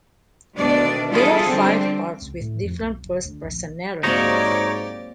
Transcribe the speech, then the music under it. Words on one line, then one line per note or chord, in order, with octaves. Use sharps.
There are five parts with different first-person narrators.
D2 B2 D#3 D4 D5
E3 G3 E4 F4 G#4 A4
D3 G3 C4
C#2
A2
F2
B1
F#1
D2
A#1
G#2 F#3 A#3 C4 D#4 G4 C#5 D5